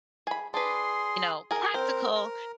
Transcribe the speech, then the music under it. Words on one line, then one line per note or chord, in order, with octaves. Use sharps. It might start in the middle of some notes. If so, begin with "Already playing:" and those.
you know, practical,
G#4 B5
D4 G#4 B4 C6
G#4 A#4
C4 A#4 C5
A#4